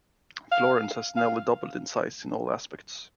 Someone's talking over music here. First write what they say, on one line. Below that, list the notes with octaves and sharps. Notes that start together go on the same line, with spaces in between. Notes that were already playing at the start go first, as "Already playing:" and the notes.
Florence has nearly doubled in size in all aspects.
F5
F5